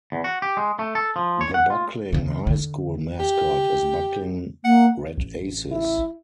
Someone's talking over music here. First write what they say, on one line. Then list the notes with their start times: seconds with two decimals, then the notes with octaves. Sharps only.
The Bucklin High School mascot is Bucklin Red Aces.
0.12 E2
0.24 F#4
0.42 G4
0.57 G#3
0.79 A3
0.95 A4
1.16 F3
1.41 C#5
1.54 F#5
1.70 F4
2.13 E2 C#3
2.47 D3
3.20 G4
4.64 A#3 F#5
5.18 A1
5.72 E4